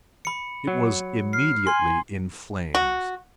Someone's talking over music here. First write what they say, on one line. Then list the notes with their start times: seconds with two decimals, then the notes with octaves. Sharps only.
It was immediately in flames.
0.25 B5 C#7
0.67 F#3
1.33 F6 C7
1.67 G#5 C6
2.75 F#4